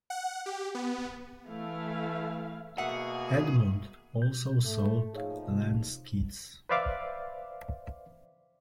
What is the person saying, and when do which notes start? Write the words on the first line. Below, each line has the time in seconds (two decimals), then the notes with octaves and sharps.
Edmund also sold lens kits.
0.10 F#5
0.46 G4
0.75 B3
1.48 E3 A3 E4 F5
2.78 B2 A#3 F#4 G#4 E5 F#5
4.18 B2 G6
4.65 G#2 A3
5.14 A#2 F3 D#4 G#4 C#5 F5
5.50 C3
6.69 B4 C5 D5 E5 F5 D6